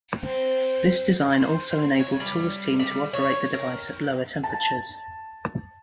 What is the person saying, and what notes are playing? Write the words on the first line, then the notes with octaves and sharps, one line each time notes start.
This design also enabled Tour's team to operate the device at lower temperatures.
C4
C5
C#5
G3
G3
C#5
A#4
A5